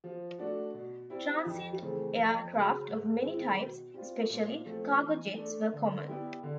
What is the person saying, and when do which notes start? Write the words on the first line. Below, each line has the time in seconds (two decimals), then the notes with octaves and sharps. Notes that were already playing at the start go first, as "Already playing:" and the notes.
Transient aircraft of many types, especially cargo jets, were common.
0.04 F3
0.38 A3 D4 F#4
0.74 B2
1.10 G3 C4 E4
1.46 F2
1.81 C#3 E3 A3 C4
2.17 F2
2.53 C#3 F#3
2.88 G#2
3.23 D#3 G#3 C4 E4
3.59 B2
3.94 G3 C4 F4
4.29 A#2
4.66 F3 A3 C4
5.02 E3
5.37 A3 D4
5.73 D3
6.08 G3 B3 E4 G4
6.43 D3